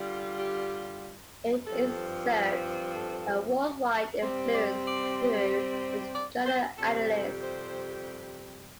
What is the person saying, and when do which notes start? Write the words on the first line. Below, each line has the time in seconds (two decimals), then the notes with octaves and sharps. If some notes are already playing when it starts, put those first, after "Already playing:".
It exerts a worldwide influence through its Journal Annales.
Already playing: D3 G3 F4
0.39 G4
1.66 G2 F3 C4 A4
2.95 A4
4.22 C3 G3 C4
4.54 D5
4.86 D5
6.15 D5
6.46 C5
6.78 F2 C3 G3 A4
7.10 A4
7.42 C5